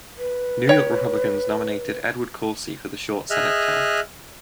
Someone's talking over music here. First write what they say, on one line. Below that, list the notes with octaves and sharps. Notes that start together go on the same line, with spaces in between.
New York Republicans nominated Edward Corsi for the short Senate term.
B4
G4 C#5 G5
G#4 D#5 E5 F6 F#6